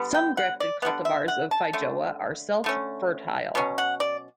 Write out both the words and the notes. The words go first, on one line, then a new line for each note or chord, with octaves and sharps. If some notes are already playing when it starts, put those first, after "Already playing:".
Some grafted cultivars of feijoa are self-fertile.
Already playing: D3 G3 B3
G5
F#5
D5
D3 G3 B3 F#5
E5
F#5
A5
D3 A3 C#4
D3 A3 C#4
B2 F#3 C#4
F#5
D5